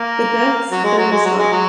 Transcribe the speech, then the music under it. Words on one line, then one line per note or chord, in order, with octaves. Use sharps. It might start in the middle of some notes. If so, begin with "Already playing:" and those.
The deaths then stopped.
Already playing: A#3
F#3
G#3
F#3
G#3
F#3
G#3
F#3